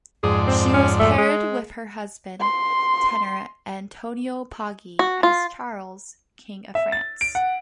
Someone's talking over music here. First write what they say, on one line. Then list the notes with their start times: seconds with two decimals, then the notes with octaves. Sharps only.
She was paired with her husband, tenor Antonio Poggi, as Charles, King of France.
0.23 F2 G#2 G#4 D5
0.47 C4
0.74 C#4
1.00 A3
1.18 G#3
2.41 C6
4.99 F#4
5.23 F4
6.75 E5
6.92 A6
7.21 D7
7.35 F#5